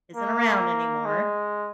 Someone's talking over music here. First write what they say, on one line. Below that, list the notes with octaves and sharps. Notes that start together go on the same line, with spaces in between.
isn't around anymore,
A#3
G#3